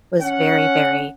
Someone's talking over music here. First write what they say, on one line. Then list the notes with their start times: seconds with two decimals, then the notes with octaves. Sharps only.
was very, very
0.21 C#4 F#5